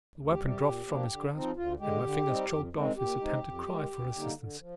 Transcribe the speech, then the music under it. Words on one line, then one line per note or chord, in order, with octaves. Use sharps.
The weapon dropped from his grasp, and my fingers choked off his attempted cry for assistance.
D2
G4
C3 G3
G4
A#2
F3 A#3 D4
D3
F3 C4 D#4
D2 F4
D3 G#3 G4
D3
G3 C4 D#4
F2
D#3 G#3 C4
A#2 G4
G#3 C4 D#4
F2
D#3 G#3
D2
D3 G3 A#3 D#4
D3
F3